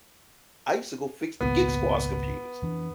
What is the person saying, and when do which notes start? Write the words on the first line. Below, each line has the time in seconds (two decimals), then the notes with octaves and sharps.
I used to go fix the Geek Squad's computers.
1.41 G#1 C#2 A#2 B3
2.62 F2 E3 D4